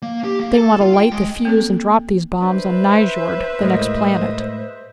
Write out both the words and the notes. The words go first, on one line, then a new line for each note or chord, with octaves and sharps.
They want to light the fuse and drop these bombs on Nyjord, the next planet.
A#3
G4
A#3
A4
F4
G5
G#3
A#3 C4 A4
D4 B4 C5 E5
A2 G#3 A#3 D#5